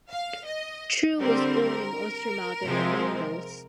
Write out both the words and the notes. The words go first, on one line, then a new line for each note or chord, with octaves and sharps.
Trew was born in Oystermouth in the Mumbles.
F5
D#5
D3 G3 C4 A#4
C3 F3 G#3 C4